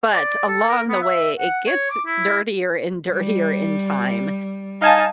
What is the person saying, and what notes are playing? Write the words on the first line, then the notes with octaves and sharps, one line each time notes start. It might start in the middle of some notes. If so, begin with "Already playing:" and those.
but along the way it gets dirtier and dirtier in time,
D5
A4
A#4
B3
E5
F#5
C#5
D6
E4
G3
D#4 F5 G#5 A5